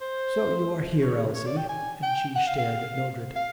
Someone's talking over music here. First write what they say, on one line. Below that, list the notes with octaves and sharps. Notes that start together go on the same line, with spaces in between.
'So you are here, Elsie,' and she stared at Mildred.
C5
C#5
C#5
D5
G5
G#5
G5
F#5
F5
F5
F5